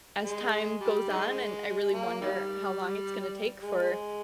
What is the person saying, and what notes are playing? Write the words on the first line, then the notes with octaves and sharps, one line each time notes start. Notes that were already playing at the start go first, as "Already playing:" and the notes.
as time goes on, and I really wonder how long it's gonna take for
G#3
G3
D#3 G#3
A#3
D#3 G3
G#3